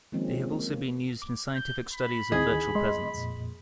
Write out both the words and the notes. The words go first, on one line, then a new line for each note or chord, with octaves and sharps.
They have also been used in scientific studies of virtual presence.
D#3 F3 G#3 A#3 C4 C#4
A#3
D6
G6
B5
D2 D#3 C4 E4 G#4 D#5 G#5
G#3 D#5 C6
F2 A#2